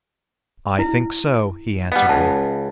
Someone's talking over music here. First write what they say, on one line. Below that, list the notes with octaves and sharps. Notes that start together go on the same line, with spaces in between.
"I think so," he answered me.
E4
G3 B3 F5 F#5
C#2 A5